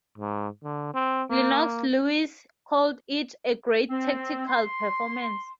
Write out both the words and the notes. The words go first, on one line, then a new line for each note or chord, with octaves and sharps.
Lennox Lewis called it "a great tactical performance".
G#2
D3
C4
A#3
C4
C6